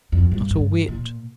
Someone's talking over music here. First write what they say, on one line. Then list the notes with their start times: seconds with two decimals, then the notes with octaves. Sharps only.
"Not a whit."
0.12 F2
0.32 G2
0.50 G2
0.88 A#2